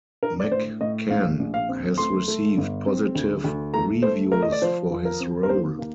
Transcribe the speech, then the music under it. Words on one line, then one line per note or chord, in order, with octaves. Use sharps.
McCann has received positive reviews for his role.
D4 A#4
D5
A2 C5
A2 D#5
A#1 F5
A#1
F5
C4
A3 C6
A3
G1
C4
D2
D2
A3 A#5
A3 C5
A3 A#4
D#5
D5
F3 C5
F3
A#4
C4
A#4
D#2 C5
A#3